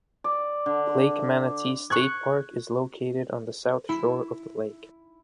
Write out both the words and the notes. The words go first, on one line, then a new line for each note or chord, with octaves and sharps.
Lake Manatee State Park is located on the south shore of the lake.
D5
D3
C#6 F#6 G#6
E4